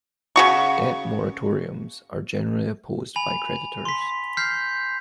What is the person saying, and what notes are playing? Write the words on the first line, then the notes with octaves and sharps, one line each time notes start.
Debt moratoriums are generally opposed by creditors.
C#3 F#4 C#6
G#5 B5 F7
C6 B6
F6 G6 B6 C7